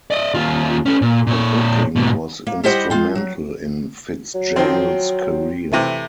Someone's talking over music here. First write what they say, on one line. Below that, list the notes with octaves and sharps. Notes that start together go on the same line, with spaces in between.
The booking was instrumental in Fitzgerald's career.
D5 D#5
D#2 F4
A3 C#4
A#2
A#2 C#5
G#2 B2
A#3
G3 E4 G4 C5 D#5 F#5
G#3 F4 G5
F#3
F#3
D#3 F3 C4
C3 E3 A3